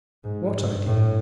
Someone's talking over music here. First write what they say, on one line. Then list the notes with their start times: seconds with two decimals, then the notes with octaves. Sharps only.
What idea?
0.24 G#2
0.56 G2
0.86 A2